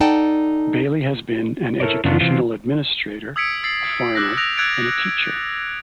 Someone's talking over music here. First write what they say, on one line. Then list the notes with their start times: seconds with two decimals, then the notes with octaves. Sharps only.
Bailey has been an educational administrator, a farmer, and a teacher.
0.01 D#4 A4 D5 F#5 G5 A5
1.80 E4 A4 A#4 C#5 D5
2.04 F#2 C#3 F#3 B3 D4 F4
2.21 C3 E3 C4 F4
3.36 D#6 E6 G#6 B6 C#7 D7
3.64 E6 A6 C7 C#7 F#7
4.14 D6 E6 F#6 G6 A#6 C7
4.37 D#6 E6 F#6 A#6 D7 F7
4.57 E6 F#6 G#6 A6 C#7 D7